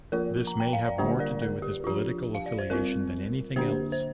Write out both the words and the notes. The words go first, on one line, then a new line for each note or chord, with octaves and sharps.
This may have more to do with his political affiliation than anything else.
F3 A#3 F4 A#4
A#5
G5
F5
D5
D3 G3 A#3 D4 F4 G4 C5
A#4 D5
A#4
G4
F3 D4 F4 G4
F5
D5
C5
G3 C4 F4 A#4
D3 A#3 D4 G4 C5
C5